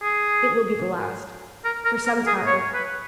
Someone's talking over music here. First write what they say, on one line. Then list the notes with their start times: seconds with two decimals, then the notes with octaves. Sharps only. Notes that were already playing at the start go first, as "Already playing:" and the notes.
"It will be the last--for some time."
0.02 G#4
1.65 A#4
1.85 A#4
2.06 A#4
2.27 G#4
2.47 C#5
2.74 B4